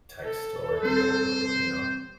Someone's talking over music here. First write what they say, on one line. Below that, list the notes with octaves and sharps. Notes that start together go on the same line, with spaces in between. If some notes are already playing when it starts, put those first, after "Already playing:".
text or a DM or w you know?
A4
G3 C4 C5